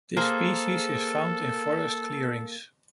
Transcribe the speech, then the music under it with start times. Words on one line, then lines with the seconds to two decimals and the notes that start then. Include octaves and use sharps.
This species is found in forest clearings.
0.17 A#3 G#4 A4 C5